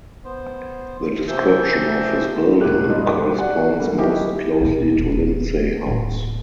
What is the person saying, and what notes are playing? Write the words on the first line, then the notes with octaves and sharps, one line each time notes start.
The description of his building corresponds most closely to Lindsey House.
B3 C5
C3 E3 F3 E5 G6
E1 A2 A#3 F#4 G4 F#6
G2 B2 D4 D#4 F4
G3 D4 G4
F#4 D5 F#5
D3 F#3 G3 A3 A#3
E3 F#3 D#4 E4 G4 A#4
D2 B2
D#1 B3
D1 E2